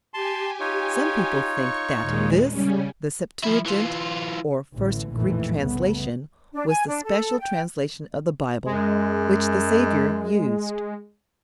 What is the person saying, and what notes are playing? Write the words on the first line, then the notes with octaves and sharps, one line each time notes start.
Some people think that this, the Septuagint, or first Greek translation, was the special translation of the Bible which the Saviour used.
G4 G#5 A5 C6
D#4 F4 C#5
C#6
D#2 A#2 G#3
C#3 G3 C#4
F3 E4
E3 F4
A1 D3 E3
A#1 F2 A2 D#3 E3 A3
C2 C#3 A3 B3
D4
G#5
D4
A4
G5
F#2 G#3